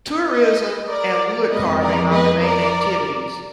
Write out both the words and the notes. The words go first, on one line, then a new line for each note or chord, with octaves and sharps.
Tourism and woodcarving are the main activities.
B4 D#5
A#4 D5
F2 F3 G#3 B3 B4 D#5
A#4 D5
B4 D#5
A#4 D5